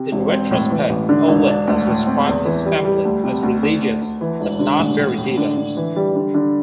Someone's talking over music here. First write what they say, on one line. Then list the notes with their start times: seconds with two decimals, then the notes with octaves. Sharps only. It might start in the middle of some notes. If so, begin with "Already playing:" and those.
In retrospect, Ouellet has described his family as religious but not very devout.
Already playing: C3
0.12 E1
0.31 C4
0.51 A2
0.71 E3
0.90 A1
1.09 D3
1.28 E1
1.48 D4
1.67 D2
1.87 A2
2.07 C4
2.26 E2
2.45 E3
2.66 G3
2.85 G3
3.05 D2
3.24 C3
3.43 D2
3.63 D2
3.82 D2
4.02 D2
4.21 E3
4.41 E1
4.59 D3
4.79 A1
4.98 A2
5.18 A2
5.38 D3
5.57 D3
5.77 E3
5.96 G3
6.16 D3
6.34 D3